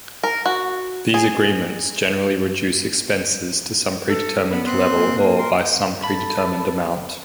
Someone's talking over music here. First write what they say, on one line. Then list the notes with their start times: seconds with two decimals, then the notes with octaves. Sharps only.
These agreements generally reduce expenses to some pre-determined level or by some pre-determined amount.
0.23 A#4
0.45 F#4
1.14 G#4
4.08 A4
4.51 B3 B5
4.66 C4 C6 F#6
4.94 A#3
5.38 A#4 C6
5.57 G5
6.04 A4 A5 B5